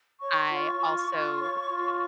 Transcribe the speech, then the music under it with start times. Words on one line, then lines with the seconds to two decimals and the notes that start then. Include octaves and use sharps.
I also
0.20 C#5 C#6
0.50 F4
0.80 F4
1.10 F4
1.40 C#5
1.69 F4